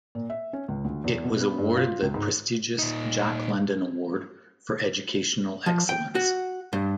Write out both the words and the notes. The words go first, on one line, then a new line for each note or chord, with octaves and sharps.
It was awarded the prestigious Jack London Award for Educational Excellence.
A#2
E5
C#4
C#2
D2
E2
B2
B3
G2
F4
C#2
G#2
A#2 D#4
F3
G5
F#4
G2